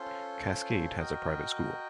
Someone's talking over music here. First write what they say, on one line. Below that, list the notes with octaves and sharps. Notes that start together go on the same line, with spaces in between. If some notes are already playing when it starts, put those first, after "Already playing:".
Cascade has a private school.
Already playing: C#4 F4 A4 C5
F#4 A#4 D#5 G5